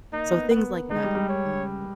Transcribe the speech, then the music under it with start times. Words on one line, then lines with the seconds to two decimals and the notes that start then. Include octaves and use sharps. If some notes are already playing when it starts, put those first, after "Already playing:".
So things like that. Um,
0.12 A#3 D#4
0.31 B3
0.51 B3
0.90 G#3 D#4
1.03 G3
1.15 G3
1.29 C#5